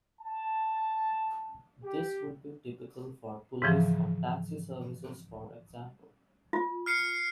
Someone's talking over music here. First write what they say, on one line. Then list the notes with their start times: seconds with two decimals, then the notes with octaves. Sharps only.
This would be typical for police or taxi services for example.
0.21 A5
1.84 G4
3.62 G#2 C#3 E3 F3
6.53 F4
6.86 F6 C7 C#7